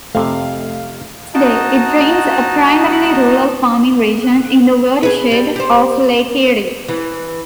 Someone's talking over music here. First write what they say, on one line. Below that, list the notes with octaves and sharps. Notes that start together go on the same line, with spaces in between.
Today, it drains a primarily rural farming region in the watershed of Lake Erie.
F2 C3 A3 F5
D#4 F#4 D#5 A5
G#4 B4
G3
G4 C5
E3